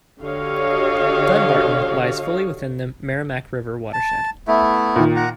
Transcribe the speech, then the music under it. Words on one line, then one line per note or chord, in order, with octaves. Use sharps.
Dunbarton lies fully within the Merrimack River watershed.
D3 F#4 G4 C#5 D#5 F5
A5
A3 B3 E4
A#2 D#3
F#5 A#5